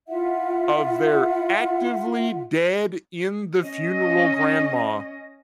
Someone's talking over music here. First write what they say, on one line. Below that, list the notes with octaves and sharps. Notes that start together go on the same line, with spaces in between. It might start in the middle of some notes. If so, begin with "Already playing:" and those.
of their actively dead in the funeral grandma.
E4 F4 E5 F#5
C#4 D#5